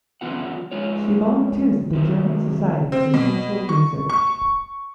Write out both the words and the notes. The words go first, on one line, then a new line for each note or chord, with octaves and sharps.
She volunteers at the German Society for Sexual Research.
F#2 C#3 E3 B3 F4 F#5
F2 G#3 F4 C#5
C3 D#3 F#3
C4
B2
C#6
C#6